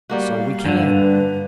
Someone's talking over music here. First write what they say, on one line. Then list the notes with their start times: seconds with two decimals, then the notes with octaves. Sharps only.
So we can.
0.10 G3 A#3 F#4
0.30 F5
0.65 G2 D3
0.85 B4